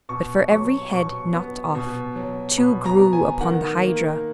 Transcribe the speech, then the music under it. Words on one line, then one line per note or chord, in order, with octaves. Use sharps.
But for every head knocked off two grew upon the Hydra.
B2 C#6
F#3 C#6
B2 C#6
B3
B2
F#3
B2 B5
A#5
B3
G#5
D#3 F#5
A#3